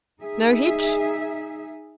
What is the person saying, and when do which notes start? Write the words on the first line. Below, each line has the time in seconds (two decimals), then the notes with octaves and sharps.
"No hitch?"
0.21 D#4 G#4 E5